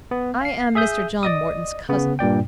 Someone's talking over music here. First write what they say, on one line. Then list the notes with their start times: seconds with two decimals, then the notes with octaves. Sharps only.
"I am Mr. John Morton's cousin."
0.11 B3
0.41 F5 C7
0.75 G#4 E5 D#6 G6
1.23 D5 D#5 D#6
1.89 C#3 B3
2.19 G2 A#2 D5 G5